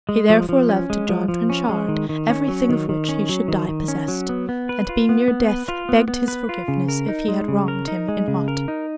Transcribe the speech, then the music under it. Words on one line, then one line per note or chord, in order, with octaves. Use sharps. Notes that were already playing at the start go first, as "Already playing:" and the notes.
He therefore left to John Trenchard everything of which he should die possessed, and being near death begged his forgiveness if he had wronged him in aught.
G#3
F3
F3
C#4
G#3
F3
F3
C#4
G#3
D#3
D#3
C#4
F#3
D#3
D#3
C#4
F#3
D#3
D#3
C#4
F#3
B3
B3
B4
F4
B3
B3
B4
F4
B3
B3
B4
F4
C#3
A#4
D#4
G#3
C#3
A#4
D#4
G#3
C#3
A#4
D#4